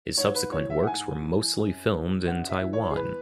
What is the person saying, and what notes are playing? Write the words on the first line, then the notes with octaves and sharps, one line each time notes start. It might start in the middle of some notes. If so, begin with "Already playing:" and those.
His subsequent works were mostly filmed in Taiwan.
G#2 C#5
B4
E3 C#5
E5
F#5
G#2 G#5
E3
F#2
E3
F#2 F#5
E5
E3
C#5
G#4
E2 B4